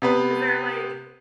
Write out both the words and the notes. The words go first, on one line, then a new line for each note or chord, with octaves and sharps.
is there, like,
C3 B3 B4